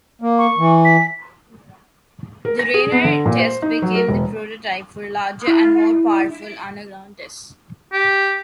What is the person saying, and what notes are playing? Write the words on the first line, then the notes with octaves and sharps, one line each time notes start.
The "Rainier" test became the prototype for larger and more powerful underground tests.
A#3
C#6
E3
B6
A#4
A#6
G#4
B3
D3
A#2
C5
D#4
F#3
A#4
E1
E4
G4